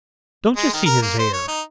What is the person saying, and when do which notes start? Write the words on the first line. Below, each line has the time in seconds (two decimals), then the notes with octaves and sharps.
"Don't you see his air?"
0.57 G#3
0.73 D#3
0.86 A#4
1.02 A#3
1.19 C5
1.33 C#5
1.48 D#4